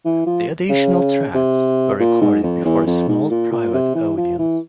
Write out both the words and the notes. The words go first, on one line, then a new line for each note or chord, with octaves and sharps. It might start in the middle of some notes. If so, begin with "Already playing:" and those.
The additional tracks were recorded before a small private audience.
E3
F3
C#3
C3
A#2
G#2
F2
E2
F2
G#2
A#2
A#2
C3
E3
F3
E3